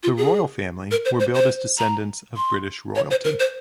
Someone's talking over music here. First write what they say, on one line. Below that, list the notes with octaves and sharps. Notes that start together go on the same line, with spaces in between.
The Royal Family were billed as descendants of British Royalty.
F4
G#4
A#4
C5
C5
C5
A#5
C6
C#5
C5
A#4
C5